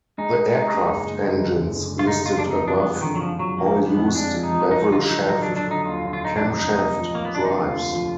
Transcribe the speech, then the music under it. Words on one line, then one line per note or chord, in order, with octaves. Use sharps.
The aircraft engines listed above all used bevel shaft camshaft drives.
G#3 D#4
G#3
D#4
G#3
G#3
F#1
G#3
D3
F#1
F#1
G#3
F4
D3 D#4
G#3 F4
D4
F2 D#4
F3 D4
B3
G#3
D3 D#3
F#3
D3 F3
F3 F#3
F3 A#3
G#3
B3
F2
G#3 D4
F3
D#4
F3
F#3 D#4
D3 F4
D#4
F#3
F#3 D#4
D4
F#3
D4
D3 D#4
D#2 F4
D3
F4
F#3 D#4
F1 D4
D#4
D3
D#2
F3
F3 A#3
B3
F1 D4
D#4
D3 F4
D#2
F3